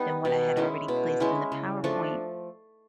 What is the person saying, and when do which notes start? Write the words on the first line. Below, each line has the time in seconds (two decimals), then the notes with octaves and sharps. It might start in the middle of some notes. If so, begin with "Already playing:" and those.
than what I had already placed in the PowerPoint,
Already playing: G3 B3 D#4
0.25 B2
0.57 G#3 C#4 E4
0.88 B2
1.20 G#3 C#4 E4
1.52 C#3
1.84 F3 A3 D4